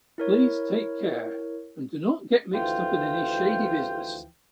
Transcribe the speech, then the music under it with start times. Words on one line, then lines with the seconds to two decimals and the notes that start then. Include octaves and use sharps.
Please take care and do not get mixed up in any shady business.
0.18 E4 A#4 C#5
2.55 D2 E3 F3 F4 G5